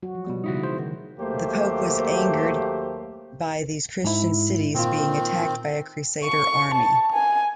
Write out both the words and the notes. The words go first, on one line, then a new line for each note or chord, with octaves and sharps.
The Pope was angered by these Christian cities being attacked by a Crusader army.
F#3 F#4
F3
B2 G3 B3
C#3 E3 G#3 D#4 E4 F#4
C5
D#3
D#2 F#3 A3 A#3 G4 C5
G#2 E4
A#2 D#3 C4 F4
C#6
A5
G#5